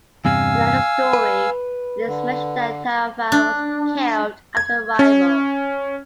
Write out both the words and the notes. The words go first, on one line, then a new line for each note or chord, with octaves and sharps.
In another story, it is mentioned that Tarafa was killed after arrival.
E2 G2 C3 F5 G#5 E6
B4
D3
D4
G#6
C#4